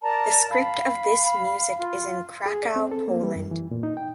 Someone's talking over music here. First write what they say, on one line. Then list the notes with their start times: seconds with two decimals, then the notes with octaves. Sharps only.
The script of this music is in Krakow, Poland.
0.02 A#4 D5 A5 A#5
0.49 F5 B5
1.78 F4
2.46 G#4
2.63 D5
2.76 C4
2.91 A4
3.08 A#3
3.23 G3
3.36 F#2
3.51 E3
3.71 A#2
3.83 D#4
3.97 G5